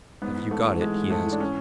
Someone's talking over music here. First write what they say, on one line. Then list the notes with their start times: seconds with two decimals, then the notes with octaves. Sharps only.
"Have you got it?" he asked.
0.22 G#2 B3
0.37 E3
0.51 G#2 A3
0.66 E3
0.81 E3 G#3
0.95 G#2
1.10 G#2 A3
1.25 E3
1.32 D4
1.40 C#4